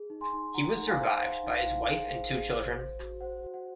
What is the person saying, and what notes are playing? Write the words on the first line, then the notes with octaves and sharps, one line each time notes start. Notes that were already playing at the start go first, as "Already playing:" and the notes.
He was survived by his wife and two children.
Already playing: G#4
D#4
G#5 C6
D#4
D#4 F#5 A#5
D#4 F#5
F5 G#5
C5
C5 F#5
D#4
F5
D#4
G#4
C5
G#4
C5
C5
F#4
C5 F#5
F#4
F#5